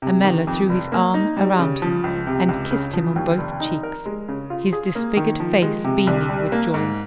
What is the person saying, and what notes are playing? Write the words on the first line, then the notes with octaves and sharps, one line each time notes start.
Ammella threw his arm around him and kissed him on both cheeks, his disfigured face beaming with joy.
C3
D#3
F2
F1
A#3
D#4
G3
C#3
F3
C#2
C3
C#2
C#3
F3
D#2
F1
D#4
A#4
G#3
C#3
F4
G#4
A#3
D#3
F3
G#3
C3
C2
G3
A#3
G#2